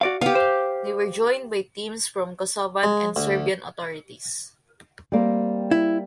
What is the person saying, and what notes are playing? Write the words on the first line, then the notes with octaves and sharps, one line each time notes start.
They were joined by teams from Kosovan and Serbian authorities.
F#4 D5 F5
B3 G4 F5
C5
G#3
D2
G3 A#3 C4
E4